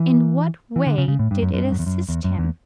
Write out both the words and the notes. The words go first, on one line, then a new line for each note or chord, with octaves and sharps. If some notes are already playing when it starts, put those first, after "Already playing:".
In what way did it assist him?
Already playing: E3
E3
D3
C#3
C#3
A2
G2
F#2
F#2
G2
F#2
E2
F#2
E2
F#2
E2